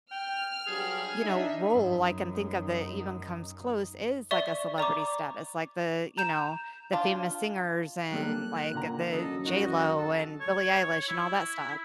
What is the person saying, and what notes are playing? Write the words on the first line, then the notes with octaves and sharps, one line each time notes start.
you know, role I can think of that even comes close is, like, a celebrity status, like, the you know, the famous singers, and like, uh, the J.Lo, and Billie Eilish, and all that stuff,
G5 F6
G2 F#3 G4 G#4
D4 D#4 E5
F#2 D#4
D5 E5 C#6 G7
D5 A#5 C#6 D6
A#5 G6 E7
D4 F4
G3 A#3 A4 F#6
A#2 D3 A#5
F#2 A4 D#5
D#4 F#4 D#5
A4 A5
C#5
E4